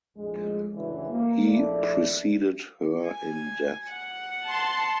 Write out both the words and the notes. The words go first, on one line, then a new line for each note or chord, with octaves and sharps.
He preceded her in death.
A#1 F2 A2 G#3
C#2 F#2 A2 D3 E3
A#3
A#1 A3 E4 A4 D5
G#5
F#5
A5 C6